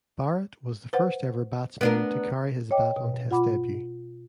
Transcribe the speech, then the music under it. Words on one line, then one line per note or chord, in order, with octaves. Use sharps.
Barrett was the first ever batsman to carry his bat on test debut.
B4 C5 F#5
A3 B3 D4 A#4
C#5 D#5 G5 D6
B2
F4 F#5 B5 D6